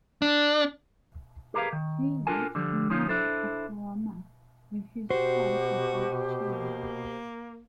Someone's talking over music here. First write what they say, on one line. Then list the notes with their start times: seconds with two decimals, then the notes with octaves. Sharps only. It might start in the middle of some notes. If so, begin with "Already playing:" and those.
He lives in Moore, Oklahoma, with his wife and five children.
0.22 D4
1.54 G4 G#4 A#4 B4 F5
1.73 D#3
2.27 D4 F4 A4 A#4 G#5
2.55 D3 F3 G3
2.90 D2 F3 C#4 D#4 F4
3.09 D4 E4 A4 C5
5.10 B2 F#4 G4 C5
6.51 A#3